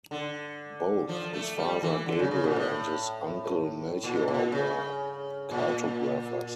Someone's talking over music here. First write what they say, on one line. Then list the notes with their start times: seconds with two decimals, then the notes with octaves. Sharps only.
Both his father Gabriel and his uncle Melchior were cartographers.
0.11 D3
1.09 F3
1.33 A3
1.58 G3
1.83 E3
2.06 D3
2.19 C#3
2.31 C#3
2.44 A#2
2.56 A2
4.03 A#2
4.28 A#2
4.52 C#3
5.51 A#2